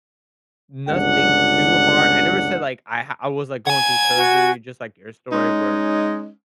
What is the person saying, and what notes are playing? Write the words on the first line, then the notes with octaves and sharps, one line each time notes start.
nothing too hard, I never said, like, I ha I was, like, going through surgery, just like your story, where
G1 C#2 D4 F#5
F#5 G#5 G#6
F#4
G#3 C#4 D#4